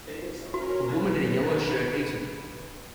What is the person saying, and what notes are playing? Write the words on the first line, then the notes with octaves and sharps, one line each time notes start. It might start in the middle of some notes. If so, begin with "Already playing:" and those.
A woman in a yellow shirt eating.
C#4 F#4 A#4
B4